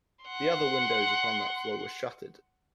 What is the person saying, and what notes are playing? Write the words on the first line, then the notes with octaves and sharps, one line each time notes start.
The other windows upon that floor were shuttered.
F#5 C6